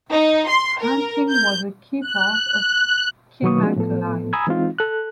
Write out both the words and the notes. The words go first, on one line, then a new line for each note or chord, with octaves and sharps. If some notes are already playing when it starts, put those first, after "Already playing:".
Hunting was a key part of Kimak life.
D#4
C6
A#4
G6
F#6
B2 D#3 F#3 B4 C#6 D#6
F3 G#3 A#3 C4 D4 F#4
A2 F3 B3 A4
G#5 A#5 B5 D#6 E6 G#6
E3 G#3 C4 D#4 F4
A4 F#6